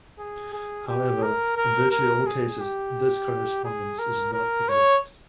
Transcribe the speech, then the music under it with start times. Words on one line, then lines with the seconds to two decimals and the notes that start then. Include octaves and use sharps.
However, in virtually all cases, this correspondence is not exact.
0.18 G#4
0.53 G#4
0.87 G4
1.22 A#4
1.57 A#4
1.91 A#4
2.26 G#4
2.60 G4
3.64 G#4
3.99 A#4
4.33 A#4
4.69 C#5